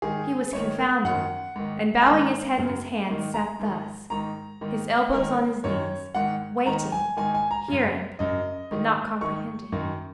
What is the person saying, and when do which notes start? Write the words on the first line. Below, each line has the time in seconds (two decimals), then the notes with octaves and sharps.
He was confounded, and bowing his head in his hands sat thus--his elbows on his knees--waiting, hearing, but not comprehending.
0.02 G#2 D#3 G#4
0.53 G#2 D#3 C#5
0.78 A#4
1.04 F#2 D#3 F#5
1.56 G#2 D#3
2.02 G#5
2.06 G#2 D#3 A#5
2.58 F#2 C#3
3.08 G#2 D#3
3.34 A#5
3.60 G#2 D#3
4.10 G#2 D#3 A#5
4.61 G#2 D#3
5.13 G#2 D#3 A#4
5.64 F#2 D#3 C#5
6.14 G#2 D#3 F#5
6.66 G#2 D#3 A#5
6.92 G#5
7.17 G#2 D#3 G#5
7.35 G#5
7.51 A#5
7.68 F#2 C#3
8.19 F#2 C#3 D#5
8.71 G#2 D#3
9.21 G#2 D#3 C#6
9.72 F#2 D#3